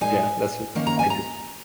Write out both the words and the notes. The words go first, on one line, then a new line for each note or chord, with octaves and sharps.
Yeah, that's what I do.
A#2 G#3 D#4 G#5
D#3 A#3 C#4
A#5
G#5
A#5